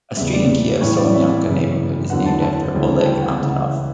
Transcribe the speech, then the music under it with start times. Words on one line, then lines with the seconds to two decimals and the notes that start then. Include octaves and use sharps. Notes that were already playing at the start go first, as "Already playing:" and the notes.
A street in Kiev's Solomyanka neighborhood is named after Oleg Antonov.
0.17 E2 C#3 G3 E5
0.33 D5
0.81 A1 A2 E3 G3 C#5
0.97 D5
1.14 E5
1.46 G1 F#2 C#3 E3
2.10 F#1 E2 D3 F#3 F#5
2.26 A5
2.42 A5
2.74 D2 C#3 E3 G3
2.99 A5
3.06 G5
3.22 F#5
3.38 C#2 C#3 E3 F#5
3.71 E5